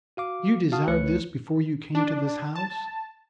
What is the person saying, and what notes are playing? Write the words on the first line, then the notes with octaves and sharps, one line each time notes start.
You desired this before you came to this house?
F#4 F5 D6
F#4 F5 A5 D#6 F6
C#2 A3 B4 C#5 F#6 C#7
D4
A5